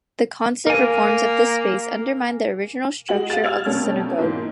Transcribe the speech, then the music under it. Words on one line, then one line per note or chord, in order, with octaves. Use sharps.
The constant reforms of this space undermined the original structure of the synagogue.
A#3 A#4 G#5
G#3 F#4 F#7
F5 A6
E6 F6 G#6 F7
B2 G3 A3 A#3 C4 C#4
G#2 E3 A#3